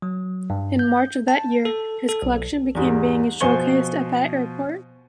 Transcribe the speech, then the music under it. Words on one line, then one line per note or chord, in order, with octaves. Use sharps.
In March of that year, his collection began being showcased at that airport.
F#3
G2
G6
A5
A4
A4
B1
E2 G#2 G3
B2 F3 C5 G#5 C#6 G7